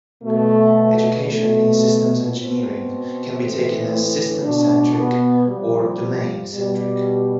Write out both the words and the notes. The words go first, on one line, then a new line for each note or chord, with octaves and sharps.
Education in systems engineering can be taken as "Systems-centric" or "Domain-centric".
B2 A3
B2 A3
B2 C4
A2 E3
B2 D4
B3
C3 F3 G3
B2 G3